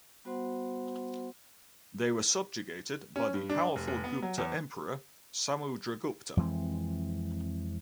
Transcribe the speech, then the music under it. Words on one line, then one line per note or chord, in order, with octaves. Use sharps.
They were subjugated by the powerful Gupta emperor Samudragupta.
G3 B3 F#4 C5 F#5 C6
C#4
G2
D4
F1
F1
B3
F#3
E2
F2 E3 G#3 C4